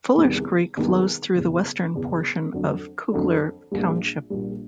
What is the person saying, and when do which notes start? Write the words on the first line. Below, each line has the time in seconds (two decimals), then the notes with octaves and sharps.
Fullers Creek flows through the western portion of Kugler Township.
0.18 E2 C3 D#3 G3 B3
0.77 E2 C3 D#3 G3 B3
1.36 F#1 E2 B2
1.95 F#1 E2 B2
2.53 F2 D3 F#3 A3 D4
3.12 F2 D3 F#3 A3 D4
3.71 A#1 A#2 G3
4.30 A#1 A#2 G3